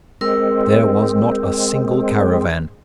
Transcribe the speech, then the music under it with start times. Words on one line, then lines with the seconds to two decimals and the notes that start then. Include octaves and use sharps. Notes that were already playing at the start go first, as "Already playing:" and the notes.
There was not a single caravan.
0.21 G#3 C4 A#4 E6